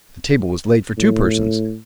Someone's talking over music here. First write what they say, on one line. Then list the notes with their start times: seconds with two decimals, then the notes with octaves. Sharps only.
The table was laid for two persons.
0.98 A2